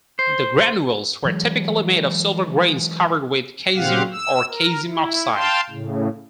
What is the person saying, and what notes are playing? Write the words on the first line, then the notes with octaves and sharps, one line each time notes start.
The granules were typically made of silver grains covered with caesium or caesium oxide.
C5
E3 F#3 G#3
A#2 C#3 C4 G4 F5 F#5
E6
A#4
E4
F5 G5 A5 C6
A2 C#3